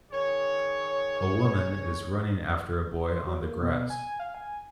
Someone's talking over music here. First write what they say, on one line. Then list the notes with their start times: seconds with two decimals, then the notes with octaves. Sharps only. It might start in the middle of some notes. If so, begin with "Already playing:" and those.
A woman is running after a boy on the grass.
0.10 D#3 G#4 C#5
3.05 C5
3.27 F#3
3.41 A#3
3.60 B2
3.90 G#5
4.20 F5
4.35 G#5